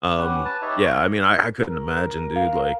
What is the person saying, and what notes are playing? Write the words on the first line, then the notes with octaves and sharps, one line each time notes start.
um, yeah, I mean, I I couldn't imagine, dude, like
C#4 G4 B4 F#5
B4 A5
D#4 G4 C#5 E5
A#5
A#4
F5